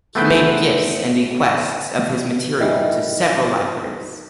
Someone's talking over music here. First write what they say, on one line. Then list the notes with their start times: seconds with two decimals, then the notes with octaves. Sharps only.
He made gifts and bequests of his material to several libraries.
0.15 A3 B3 C4 G#4 B4 G5
2.60 B2 D#3 E3 G3